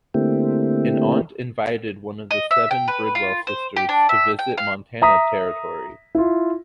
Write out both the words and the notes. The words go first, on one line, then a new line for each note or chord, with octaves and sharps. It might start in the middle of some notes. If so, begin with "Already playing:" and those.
An aunt invited one of the seven Bridwell sisters to visit Montana Territory.
D3 A3 A#3 C4 E4 G4
D#5
E5
G5
B4
F4
C5
G4
D4
E5
G5
F5
E5 A#5 D#6 B6
E4 F4